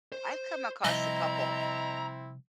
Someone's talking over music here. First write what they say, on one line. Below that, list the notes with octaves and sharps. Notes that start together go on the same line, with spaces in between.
I've come across a couple,
C5
C3 F3 G3 C4 E4 D#5 A#5